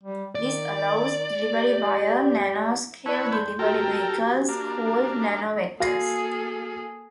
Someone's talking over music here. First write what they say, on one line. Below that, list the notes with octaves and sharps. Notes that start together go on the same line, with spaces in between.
This allows delivery via nano-scale delivery vehicles called nanovectors.
G3
D#3 D5
G4
E4 B4 C#5 D5 A5
C6 G6
F#4 G4 A4 A#4 G5
A#3 D4
A#3 F#4 G#4 A4 F5 A#6 C7